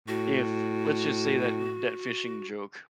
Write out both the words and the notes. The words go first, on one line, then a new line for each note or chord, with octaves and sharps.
if let's just say that that fishing joke,
A2 F#4